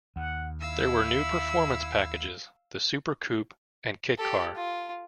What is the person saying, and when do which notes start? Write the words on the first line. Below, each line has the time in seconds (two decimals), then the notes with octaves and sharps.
There were new performance packages, the Super Coupe and Kit Car.
0.16 D#2 F#5
0.60 E4 F5 E6
4.18 G4 A4
4.56 F4